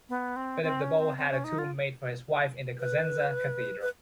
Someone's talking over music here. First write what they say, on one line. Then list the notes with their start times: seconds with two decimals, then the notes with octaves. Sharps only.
Philip the Bold had a tomb made for his wife in the Cosenza cathedral.
0.09 B3
0.36 C4
0.63 C4
0.82 C#4
0.99 C4
1.17 C4
1.31 C#4
1.44 D#4
1.58 F4
2.80 B4
3.81 B4